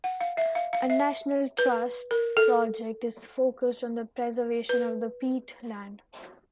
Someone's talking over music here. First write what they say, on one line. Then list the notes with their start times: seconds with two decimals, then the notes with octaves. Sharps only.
A National Trust project is focused on the preservation of the peatland.
0.04 F#5
0.21 F5
0.37 E5
0.55 F5
0.73 F5
0.90 E5
1.59 B4
2.11 A#4
2.37 A4
4.69 B4